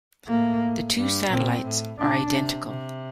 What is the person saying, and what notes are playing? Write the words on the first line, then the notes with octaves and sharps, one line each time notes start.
The two satellites are identical.
A2 A#3
G2
A#2 C4
A2
A#2 D4
C3
C3